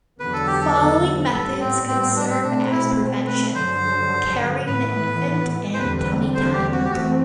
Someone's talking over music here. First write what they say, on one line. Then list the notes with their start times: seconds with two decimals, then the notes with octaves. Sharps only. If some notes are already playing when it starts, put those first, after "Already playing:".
Following methods could serve as prevention: carrying the infant and tummy time.
0.20 E2 D3 F#3 B3 B4
0.33 A4
0.47 G4
0.61 A4
1.32 A2 G3 B3 A4
1.60 C4
1.88 C4
2.02 C4
2.16 D4
2.29 C4
2.43 B2 A3 C4 D4
2.71 E4
3.27 B4
3.55 G2 D3 F#3 C5
4.67 A2 E3 B3 B4
5.74 C5
5.79 E2 D3 G3 C4 B4
5.98 B4
6.35 C5
6.53 G4
6.72 F#4
6.85 G4
6.91 F#2 E3 A3 C4 F#4